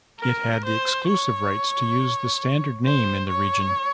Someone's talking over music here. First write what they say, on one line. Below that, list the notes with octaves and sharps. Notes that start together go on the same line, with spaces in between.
It had the exclusive rights to use the Standard name in the region.
A#4
C5
C#5
C5
C#5